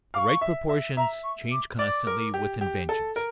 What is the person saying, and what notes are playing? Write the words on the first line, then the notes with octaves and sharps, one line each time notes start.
The right proportions change constantly with inventions.
F5 C#6 D6
E5
E5
E5 A#5
C#6
D6
D5 D6
A#4
G4
G4
A4
A#4